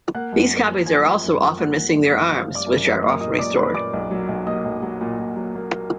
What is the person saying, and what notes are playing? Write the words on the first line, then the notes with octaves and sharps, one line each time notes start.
These copies are also often missing their arms, which are often restored.
A#3 F#5 F#6
F#2
A#3
F3
F3 G#5 G#6
F3
F#2
F3
A#3 F#5 F#6
A#3
F#2
F#2
F#2 F5 F6
F#2
D5 D6
F#2
F#2
A#3 D#5 D#6
A#2 D#5 D#6
A#2 D5 D6
A#3 B4 B5
A#2 D5 D6
B1
F#3
B1
A#3 D#5 D#6
B1
F#3
A#2
A#2
F#3
A#3
A#3